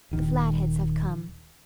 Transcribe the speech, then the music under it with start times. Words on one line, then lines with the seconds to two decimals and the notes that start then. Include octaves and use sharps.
"The Flatheads have come."
0.11 D#1 D#3